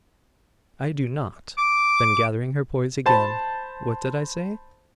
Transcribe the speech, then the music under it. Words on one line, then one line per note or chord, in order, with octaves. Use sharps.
"I do not!" Then gathering her poise again, "What did I say?"
D6
C5 A5 B5